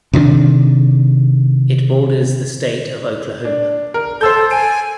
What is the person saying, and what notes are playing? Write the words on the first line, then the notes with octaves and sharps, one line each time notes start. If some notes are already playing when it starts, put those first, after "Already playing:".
It borders the state of Oklahoma.
C3 D#3 C4 D4
D4
A#4
A4 C5 E6 G6
G#5 D7